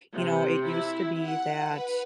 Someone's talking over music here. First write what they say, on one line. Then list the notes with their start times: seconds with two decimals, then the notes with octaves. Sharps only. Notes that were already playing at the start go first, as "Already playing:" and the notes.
You know, it used to be that,
0.14 C3
0.66 E4
1.25 F#5
1.74 B4